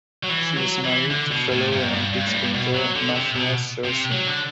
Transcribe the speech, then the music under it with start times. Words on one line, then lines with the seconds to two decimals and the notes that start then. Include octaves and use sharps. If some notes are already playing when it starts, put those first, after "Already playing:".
She is married to fellow Olympic sprinter Mathias Schersing.
0.23 F#3
0.29 E3
0.57 F#3
0.84 E3
1.11 D3
1.31 B2
1.52 A2
1.72 G2
1.86 F#2
1.92 G2
2.13 G2
2.26 A2
2.34 G2
2.54 B2
2.75 F#3
2.96 D3
3.16 C3
3.36 B2
3.84 C3
4.11 F#3
4.27 D3